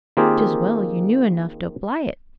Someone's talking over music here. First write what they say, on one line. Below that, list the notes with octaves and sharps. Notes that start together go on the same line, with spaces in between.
'Tis well you knew enough to apply it.
D#3 A#3 C4 F4 G4 G#4